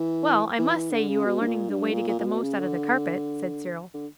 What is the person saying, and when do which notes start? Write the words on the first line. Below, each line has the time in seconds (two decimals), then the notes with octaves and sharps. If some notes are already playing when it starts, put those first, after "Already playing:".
'Well, I must say you are learning the way to get the most out of the carpet,' said Cyril.
Already playing: E3
0.58 E3
0.75 E3
0.91 D3
1.08 C#3
1.25 B2
1.40 G2
1.47 A#2
1.70 G2
1.92 A#2
2.08 A#2
2.19 A#2
2.26 B2
2.43 C#3
2.60 D3
3.94 D3